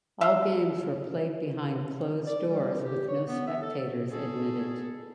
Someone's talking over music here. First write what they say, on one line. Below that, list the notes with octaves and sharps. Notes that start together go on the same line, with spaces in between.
All games were played behind closed doors with no spectators admitted.
E5 F5
D5
G3
G4
C#5
B3
E5
A4
B2 G#4 A4